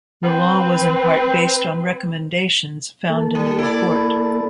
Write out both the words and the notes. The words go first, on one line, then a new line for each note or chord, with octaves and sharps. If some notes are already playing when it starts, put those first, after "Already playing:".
The law was in part based on recommendations found in the report.
C4 B4
A#3 A4
G3
E4 D5